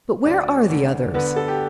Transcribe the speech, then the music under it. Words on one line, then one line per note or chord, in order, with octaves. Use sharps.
But where are the others?
D2 D4 D5
D3
D3 B3 B4
A4
G4